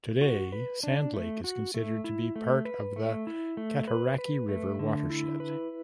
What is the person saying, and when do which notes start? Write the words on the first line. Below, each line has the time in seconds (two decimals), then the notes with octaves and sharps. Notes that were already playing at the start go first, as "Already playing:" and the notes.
Today Sand Lake is considered to be part of the Cataraqui River watershed.
0.21 F#4
0.52 B4
0.83 D4
1.14 A3
1.44 F#4
1.74 A3
2.04 E4
2.36 A3
2.65 B4
2.96 A3
3.27 E4
3.57 A3
3.88 B4
4.18 B4
4.49 A3
4.79 D3
5.10 E4
5.40 B4